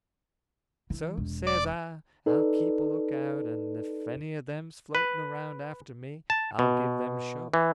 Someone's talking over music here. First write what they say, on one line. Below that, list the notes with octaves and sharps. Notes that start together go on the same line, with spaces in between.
So, says I, I'll keep a lookout, and if any of them's floating around after me I'll give them a show.
E3
E1
D5
D#4 A4 B4 D5
B4
A5
B2
E3